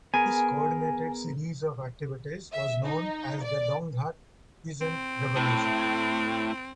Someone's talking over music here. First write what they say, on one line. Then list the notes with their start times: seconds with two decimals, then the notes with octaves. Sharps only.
This coordinated series of activities was known as the Donghak Peasant Revolution.
0.14 B3 G#4 A#4 G#5
2.52 E5
2.84 D#4
3.42 D5
4.81 C4
5.36 A2